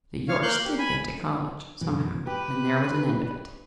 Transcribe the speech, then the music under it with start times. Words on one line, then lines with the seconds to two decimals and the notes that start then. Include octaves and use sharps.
The Yorkes did get to college, somehow, and there was an end of it.
0.29 C#5 F5
0.43 A#3 F5 F#6 G6
0.65 G4
0.79 G#5 B5
1.81 F#2 B2 E3
2.27 G4 B4